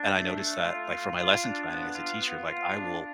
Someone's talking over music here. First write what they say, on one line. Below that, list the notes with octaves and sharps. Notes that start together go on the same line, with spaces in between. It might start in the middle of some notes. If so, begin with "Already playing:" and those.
And I noticed that, like, for my lesson planning as a teacher, like, I will
Already playing: D4
A3
A3
F4
F4
F4
D4
B3
F4
B3
F4
D4